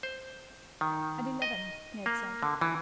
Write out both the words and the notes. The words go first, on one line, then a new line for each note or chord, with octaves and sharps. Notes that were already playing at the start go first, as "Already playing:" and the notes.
'At eleven,' he had said.
C5
D#3
D#5
A#3
D3
E3